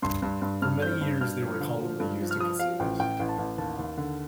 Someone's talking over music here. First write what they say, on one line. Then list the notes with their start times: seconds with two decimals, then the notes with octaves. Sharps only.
For many years, they were commonly used in casinos.
0.02 G2 C6
0.22 G2
0.42 G2
0.62 G2 F6
0.82 C4 G6
1.01 G2
1.21 G2 F6
1.41 F3
1.60 D3
1.81 F3
2.00 G2
2.20 F3
2.31 F6
2.40 F3 D#6
2.59 F3 F5
2.80 A1 G5
2.99 A1 G5
3.20 A1
3.29 A5
3.38 A1
3.58 D#2 A5
3.79 D#2
3.98 D3